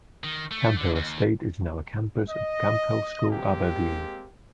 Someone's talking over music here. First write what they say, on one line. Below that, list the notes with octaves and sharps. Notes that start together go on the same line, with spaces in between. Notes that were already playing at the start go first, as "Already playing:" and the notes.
Camphill Estate is now a campus of Camphill School Aberdeen.
D#3
A3
D3
D#2
D#5
G#3 A#3 C4 G4